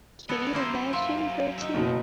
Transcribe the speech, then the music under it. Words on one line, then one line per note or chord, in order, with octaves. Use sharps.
Can you imagine, Bertie?
B3 A4 C#5 D#5
F#2 A#3 E4 C5
E5 F5 C6
F5
D#4 E5
F#1 B2